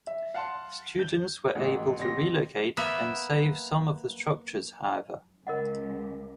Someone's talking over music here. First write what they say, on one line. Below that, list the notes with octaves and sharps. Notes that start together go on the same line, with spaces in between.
Students were able to relocate and save some of the structures, however.
E5
F5 F#5 A5 C6
G6
A1 G#2 B2 D#3
A1 C3 C6 A#6
A#3 B3 E5
C#2 A#4 D#5 F#5